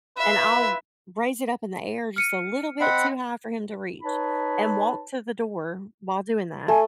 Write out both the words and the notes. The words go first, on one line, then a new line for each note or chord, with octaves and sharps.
and I'll raise it up in the air just a little bit too high for him to reach and walk to the door while doing that,
E4 F4 B4 E5
F6 C#7 D#7
C4 D#5 F#5 B5
D#4 B4 C#5 A5 B5
A3 G#5